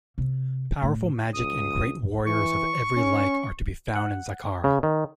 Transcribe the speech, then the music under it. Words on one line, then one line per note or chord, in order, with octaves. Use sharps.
Powerful magic and great warriors of every like are to be found in Zakhara.
C3
A2
C#2 D#6
E3 C#6
C#4
F#5
C#3
D#3